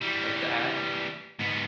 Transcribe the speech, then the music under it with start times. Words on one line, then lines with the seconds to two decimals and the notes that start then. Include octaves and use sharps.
like the app
0.01 E3 G3
1.39 G#2 B3